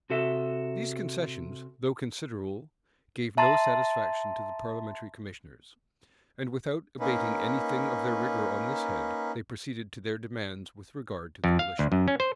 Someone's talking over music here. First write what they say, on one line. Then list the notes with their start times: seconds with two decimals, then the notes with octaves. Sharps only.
These concessions, though considerable gave no satisfaction to the parliamentary commissioners; and, without abating any thing of their rigor on this head, they proceeded to their demands with regard to the militia.
0.10 C3 F#4 A4 E5
3.37 E5 A5 A#5 C6 A6
7.00 A#3 C#4 D#4 B4
11.44 F2
11.59 F5
11.79 D2
11.92 F#2
12.08 C#4
12.20 C5